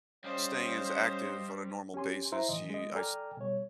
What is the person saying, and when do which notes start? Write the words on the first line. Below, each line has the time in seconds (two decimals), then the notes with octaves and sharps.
staying as active on a normal basis, you I s
0.24 G3 C#4 C5 D#5 F5
1.94 C#4 G4 G#5 C6
2.32 E4 C5 E5 A#5 C6
2.49 A2 D#3 E3 D#5
2.70 G#3 D#5
2.95 A4 D5 G5 G#5 A#5 F6
3.37 B2 G3 C#5